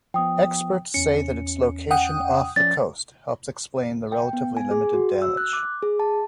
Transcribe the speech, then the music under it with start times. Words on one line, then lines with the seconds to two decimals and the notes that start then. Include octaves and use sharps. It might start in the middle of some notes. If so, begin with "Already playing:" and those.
Experts said that its location off the coast helps explain the relatively limited damage.
0.14 F3 B3 G5 D#6
0.94 E2 C#4 C#7
1.91 F#5 G5 D#6
2.56 F3 C#4 D5 A6
4.12 G5
4.33 B3
4.57 G#5
4.71 G#4
4.94 F#4
5.22 E6
5.37 F#6
5.53 D6
5.83 G#4
6.00 A5